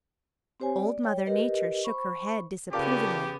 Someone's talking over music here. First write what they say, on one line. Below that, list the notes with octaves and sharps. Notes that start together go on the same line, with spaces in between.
Old Mother Nature shook her head disapprovingly.
C4 G4 C5 C#5 G#5
D5
C#5 G5
G4 A#4 B4 D#5
C5 B5 C#6
A#2 C#3 B3 G4 F5 A5 D6